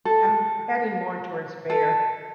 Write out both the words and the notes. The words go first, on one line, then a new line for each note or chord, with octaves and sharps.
I'm heading more towards bear.
A4
A4